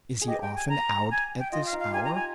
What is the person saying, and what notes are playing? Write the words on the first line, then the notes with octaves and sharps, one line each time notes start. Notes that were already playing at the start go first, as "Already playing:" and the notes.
"Is he often out at this hour?"
G#4
G4 D#5
G5
G#5
A#5
G#5
G5
F4 D#5
F5
D#4
F5
G4 G#5
A#5
G#5